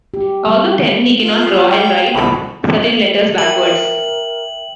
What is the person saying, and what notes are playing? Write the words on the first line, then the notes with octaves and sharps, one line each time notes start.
Although ten, he cannot draw and writes certain letters backwards.
G4
G3
F4
B3 G4 G#4
G3 G5
F5 A#5
C2 B2 D3 B5
A#4 E5 G5 F#7